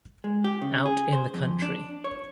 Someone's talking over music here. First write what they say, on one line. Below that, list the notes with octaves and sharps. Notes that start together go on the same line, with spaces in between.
Out in the country.
G#3
G4
C#3
G#4
C5
F2
D4
C#5